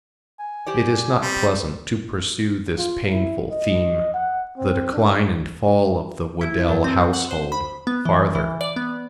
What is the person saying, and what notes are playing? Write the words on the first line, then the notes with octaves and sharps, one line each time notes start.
It is not pleasant to pursue this painful theme--the decline and fall of the Whedell household--farther.
G#5
G4 C5 D5
G3 C4
F4
E4
D#5
F#5
C4
D4
E4
F#2
C4
F#5
C5
B5
B3
E3
E3
D5
B3